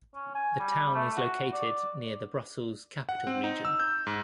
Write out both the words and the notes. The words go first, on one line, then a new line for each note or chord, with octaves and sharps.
The town is located near the Brussels-Capital Region.
C#4
G#5
G3
A3
F#4
D5
F#5
C4
D#4
E6
G6
G#2